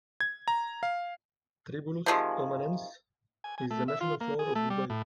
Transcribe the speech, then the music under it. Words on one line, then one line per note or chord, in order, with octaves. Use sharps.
"Tribulus omanense" is the national flower of Dubai.
G#6
A#5
F5
C3 D#3 F3 G#3
G#5
G#5
A3
E5
F4
A#3
G#4
A3
G3
A2